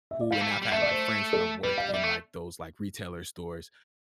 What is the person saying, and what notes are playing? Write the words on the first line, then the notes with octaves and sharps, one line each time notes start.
who and I've had like friends who have worked in, like, those, like, retailer stores,
E5
D5
G3 F5
A3
G3
G3
A3 E5
D5
C5
A4
G3 B4
F5
D5
G3 E5
A3